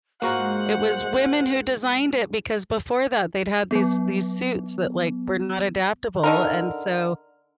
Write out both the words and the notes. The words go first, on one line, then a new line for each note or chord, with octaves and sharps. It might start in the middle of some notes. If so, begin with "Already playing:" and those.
It was women who designed it because before that they'd had these these suits that, like, were not adaptable and so
G#2 G#3 A#3 F4 F#4 A#4 C5 F#5
F#3 B3
D3 D#4 A#4